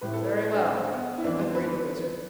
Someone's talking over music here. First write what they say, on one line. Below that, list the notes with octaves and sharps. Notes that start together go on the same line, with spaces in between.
"Very well," agreed the Wizard.
A2 G3 C4 E4 B4
A4
B4
D4
C4
B3
E4
F2 E3 B3 D4
C5
B4
B4